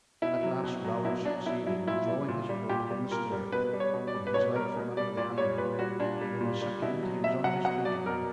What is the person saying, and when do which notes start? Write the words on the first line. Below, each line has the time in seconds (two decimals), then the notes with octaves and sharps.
At last Raoul succeeded in drawing his foot from the stirrup and his leg from under the animal, and in a second he was on his feet again.
0.22 B2 E4
0.43 F#3
0.63 B2
0.84 F#3
1.04 B2 E4
1.25 F#3 D4
1.45 B2 E4
1.66 F#3 E4
1.87 A#2 E4
2.07 G3
2.28 A#2
2.49 G3
2.69 A#2 G4
2.90 G3
3.11 A#2 A#4
3.32 G3
3.52 B2 B4
3.73 G3
3.80 C#5
3.94 B2
4.07 D5
4.14 G3
4.27 B4
4.34 B2 C#5
4.55 G3 A#4
4.76 B2
4.97 G3 D5
5.17 A#2 D5
5.38 G3 C#5
5.58 A#2 B4
5.79 G3 F#4
6.00 A#2 D4
6.21 G3
6.41 A#2
6.62 G3
6.82 B2 E4
7.03 F#3
7.24 B2 E5
7.44 F#3 F#5
7.65 B2 F#5
7.85 F#3 D5
8.06 B2 A#4